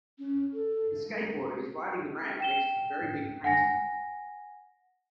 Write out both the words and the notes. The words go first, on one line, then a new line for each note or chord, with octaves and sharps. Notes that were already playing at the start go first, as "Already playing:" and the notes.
The skateboarder is riding the ramp next to the very big painting.
C#4
A4
G5 E7 G7
F#5 G#5 A#6